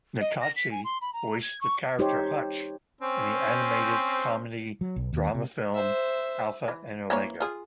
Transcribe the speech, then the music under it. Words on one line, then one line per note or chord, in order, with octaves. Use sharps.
Nakauchi voiced the character "Hutch" in the animated comedy drama film, "Alpha and Omega".
D#5
A#6
B6
G#5
C6
B5
A#5
G#6
C#6
D#4 G4 C5 C#5
C4 C#4 C5
F#3
B1
D#2
C3
C5 E5
E3
E3 A#3 C#5
F4 G#4